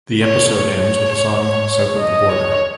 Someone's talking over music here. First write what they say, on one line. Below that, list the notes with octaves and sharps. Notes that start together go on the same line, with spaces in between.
The episode ends with the song "South of the Border".
C#5
C#5
C#5
C#5
D#5
C#5